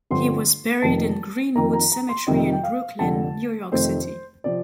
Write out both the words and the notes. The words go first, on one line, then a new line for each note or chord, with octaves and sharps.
He was buried in Green-Wood Cemetery in Brooklyn, New York City.
G1 G2 D3 F3 C4 C6
F1 F2 D#3 A#3 A5
F2 D#3 A#3 A#5
A#5
A#5
C6
F2 C3 D#3 G3 D#5
G5
F5
F1 F2 D3 A5
F1 F2 D#3 A3 C4 C5
C3 F3 C4 D5